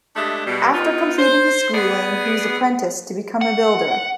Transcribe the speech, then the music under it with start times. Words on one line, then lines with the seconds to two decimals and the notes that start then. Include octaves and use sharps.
After completing his schooling, he was apprenticed to become a builder.
0.16 G#3 A3 D4 G4 D#5 E5
0.46 B2 G3
0.73 B3 D#4 F4
1.19 C5
1.74 B3 G#4 D5
3.41 F#5